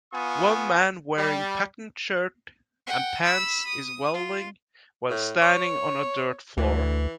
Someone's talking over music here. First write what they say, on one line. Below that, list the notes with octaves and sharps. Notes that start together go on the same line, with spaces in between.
One man wearing patterned shirt and pants is welding while standing on a dirt floor.
B3 F4 G#5 C#6 D#6
G3
F#5 G5
B5 E6
D#6
F4
A2
C#5
D2 E3